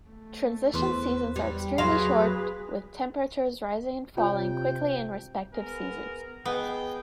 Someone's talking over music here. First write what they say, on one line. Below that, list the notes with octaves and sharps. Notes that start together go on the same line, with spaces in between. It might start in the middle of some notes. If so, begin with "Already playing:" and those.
Transition seasons are extremely short, with temperatures rising and falling quickly in respective seasons.
A3
E2 B4 C5
G3
F#3 G#4 B4 F5 B5 C6
C3 F4 C#5 G5
B3 G#4 A#4
B3 G#4 D#5 G5